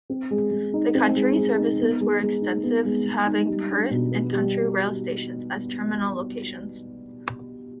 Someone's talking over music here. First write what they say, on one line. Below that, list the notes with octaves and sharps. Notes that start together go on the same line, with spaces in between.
The country services were extensive having Perth and country rail stations as terminal locations.
C4
G#3
G#3
D#4
C4
G#3
G#3
D#4
B3
G#3
G#3
D#4
B3
G#3
G#3
D#4
G3
D4
B2
B3
G3